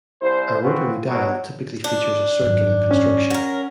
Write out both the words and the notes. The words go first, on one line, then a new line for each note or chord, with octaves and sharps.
A rotary dial typically features a circular construction.
C2 E4 C5
C4 C#4 F4 F#4 B4
B2 F#3
D4
G#1 F#2
C#4
F#3 A#4